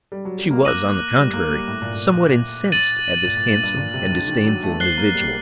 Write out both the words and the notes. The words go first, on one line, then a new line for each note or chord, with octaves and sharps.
She was, on the contrary, somewhat incensed at this handsome and disdainful individual.
G3
F#3
G3
A#3
A#3 D6 F#6 A#6 D#7 F#7
G3
A#3
G3
A2
A#2
A#2
A#2
A6 D#7 F#7
A#2
A#2
G2
G2
A#2
C3
D3
D#3
F#3
A3
C4 F#6 C7 G7
A#3
G3